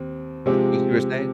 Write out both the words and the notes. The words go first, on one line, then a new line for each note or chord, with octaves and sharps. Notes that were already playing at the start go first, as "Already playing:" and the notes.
The You were saying?
Already playing: D#2 C4
C3 F3 G#3 C4 G4